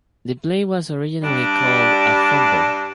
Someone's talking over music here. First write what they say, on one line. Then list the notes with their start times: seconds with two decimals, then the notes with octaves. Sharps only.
The play was originally called a fumble.
1.22 G2 G3 D4